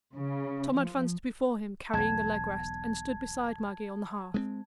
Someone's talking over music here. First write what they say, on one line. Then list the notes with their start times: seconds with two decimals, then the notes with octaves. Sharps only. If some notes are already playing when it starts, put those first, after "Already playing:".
Tom advanced before him, carrying the leg-rest, and stood beside Maggie on the hearth.
0.14 C#3
0.74 F3
1.93 E1 B1 A5 G#6
4.34 G#3 A#3 C4